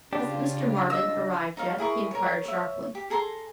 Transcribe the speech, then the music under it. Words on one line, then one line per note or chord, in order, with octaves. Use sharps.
"Hasn't Mr. Marvin arrived yet?" he enquired, sharply.
C#3 D4 F4 G4
D#5 E6
D#4 C#5 F5
E4 G#4 A#4 C#6
A#4 C#5
C#5 E5
G4
G#4 A4 A#5 C6